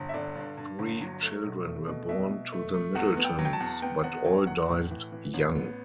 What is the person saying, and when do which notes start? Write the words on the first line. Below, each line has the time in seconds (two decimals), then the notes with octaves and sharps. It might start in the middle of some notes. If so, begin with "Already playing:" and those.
Three children were born to the Middletons, but all died young.
Already playing: G1
0.09 E5
0.14 D3 D5
0.36 G2
0.57 G2
0.79 G1
1.01 F#3
1.23 A3
1.44 B1
1.65 A3
1.87 B2
2.09 B2 E5
2.31 B2
2.52 A3
2.74 A3
2.95 E2 F#5
3.17 B3
3.24 G5
3.39 F#3
3.45 G5
3.53 A5
3.60 E2
3.82 B3 G5
4.04 E2 F#5
4.25 F#3 G5
4.47 E2 F#5
4.69 A2
4.91 E3
5.12 E3
5.34 A1
5.55 B3